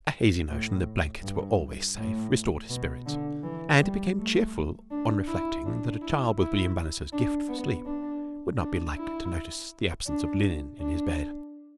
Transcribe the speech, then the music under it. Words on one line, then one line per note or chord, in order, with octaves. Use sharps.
A hazy notion that blankets were always safe restored his spirits, and he became cheerful on reflecting that a child with William Bannister's gift for sleep would not be likely to notice the absence of linen in his bed.
A2
G2
A2
B2
D3
E3
G3
A3
D4
E4
D4
E4
E4
D4
B3
D4
D4
E4
D4
D4